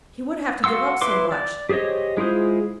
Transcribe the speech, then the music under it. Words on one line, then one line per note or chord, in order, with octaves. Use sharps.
He would have to give up so much.
F#4 F5 F#5 C6 E6
E4 B4 C6 D6
D5
G4 G#4 C5 C#5 D#5
G#3 E4 F4 G#4 C5